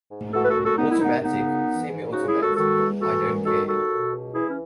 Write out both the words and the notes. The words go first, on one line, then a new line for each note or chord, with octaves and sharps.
Automatic, semi automatic, I don't care.
G#2
E3 F#4 A4
B4
F#4 A4
F#2
F#4 A4
D#3 B3 D#4
E4
D#2 B3 D#4
C#3 B3 D#4
F#2
E3
G#2
C#3 D#4 F#4
E4 G#4
D#2
F#4 A4
D#3 F#4 A4
E2
E3 F#4 A4
F#2
D#3 F#4 A4
D#2 F#4 A4
B2
C#2
E3 E4 G#4
C#4